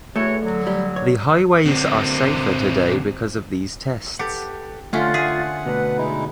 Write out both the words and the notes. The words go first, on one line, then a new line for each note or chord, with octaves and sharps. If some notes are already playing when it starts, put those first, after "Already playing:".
The highways are safer today because of these tests.
E2 A3 F#4 A4 C#5
D3 F#3
G3
C#5
D3 C4
G4 A4 B4 F#5
D3 A3 C#4 F4 E5 F#5 C6
G#4 E5 F5 G#5
B2 D3 A3 B4
G#3 D#4 E4